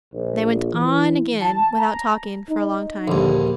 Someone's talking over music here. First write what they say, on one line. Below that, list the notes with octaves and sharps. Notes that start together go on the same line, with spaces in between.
They went on again, without talking, for a long time.
A#1
E3
A5
A#5
D#4
A#1 D#2 D3